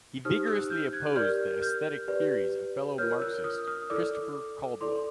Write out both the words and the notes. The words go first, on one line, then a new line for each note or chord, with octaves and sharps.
He vigorously opposed the aesthetic theories of fellow Marxist Christopher Caudwell.
D#4 G4 C5 D#6 F6
E6 F#6
F6 G6
F#6 G#6
G4 A#4 D5 F6 G6
F6 G6
G4 B4 D5
F4 A#4 C#5 F6 G6
E6 F#6
D#6 F6
D#6 F6
E4 A4 D5 D6 E6
E4 A4 D5 C6 D6